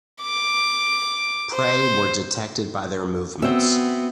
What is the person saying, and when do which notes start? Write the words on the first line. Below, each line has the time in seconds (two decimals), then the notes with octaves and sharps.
Prey were detected by their movements.
0.23 D6
1.54 C5
3.42 B3 C4 F#4 E5